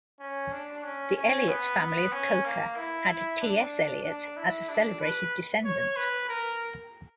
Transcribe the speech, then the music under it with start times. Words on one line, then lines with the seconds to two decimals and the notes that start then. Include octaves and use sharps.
The Elyot family of Coker had T. S. Eliot as a celebrated descendant.
0.20 C#4
0.52 D4
0.84 C#4
1.16 C#4
1.48 B3
1.80 B3
2.12 C#4
2.45 A#3
2.77 E4
3.08 E4
3.41 D4
4.04 D4
4.37 E4
4.69 D4
5.01 B4
5.65 C#5
5.96 B4
6.29 A#4